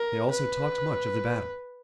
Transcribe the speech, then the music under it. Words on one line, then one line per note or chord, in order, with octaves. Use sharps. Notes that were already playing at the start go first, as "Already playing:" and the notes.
They also talked much of the battle.
Already playing: A#4
B4